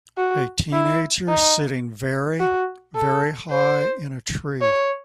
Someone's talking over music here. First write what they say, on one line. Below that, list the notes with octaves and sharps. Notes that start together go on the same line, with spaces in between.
A teenager sitting very, very high in a tree.
F#4
E4
D#4
F#4
A4
C5
C#5